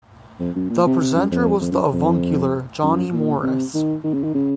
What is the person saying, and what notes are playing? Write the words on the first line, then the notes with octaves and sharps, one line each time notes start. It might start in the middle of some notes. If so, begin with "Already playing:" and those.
The presenter was the avuncular Johnny Morris.
F2
F#2
A#2
C3
C3
F#2
F2
F2
F#2
F2
F#2
A#2
C3
D#3
D#3
C#3
D#3
C#3